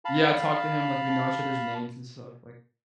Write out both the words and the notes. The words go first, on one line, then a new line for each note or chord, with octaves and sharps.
Yeah, I talked to him like we know each other's names and stuff like
F5 A5 B5